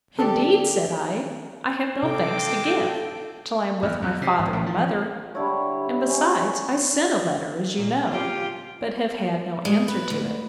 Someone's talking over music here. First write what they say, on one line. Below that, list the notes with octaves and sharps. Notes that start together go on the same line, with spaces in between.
Indeed, said I, I have no thanks to give, till I am with my father and mother: and besides, I sent a letter, as you know; but have had no answer to it.
D3 G4 A4
C3 G#3 C4 A4 G5 D6
E2
E2
C3
G#1
A1
F3
D3 G3 E4 C#5
C#4
A#2
F4 G4
G#3
B4
D2